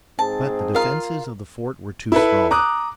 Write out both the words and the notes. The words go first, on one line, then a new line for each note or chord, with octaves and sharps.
But the defenses of the fort were too strong.
G#2 C4 G#4 A5
F4 A#4 F5 A#5
E4 A4 B4
A#5 D6 D#6 F#6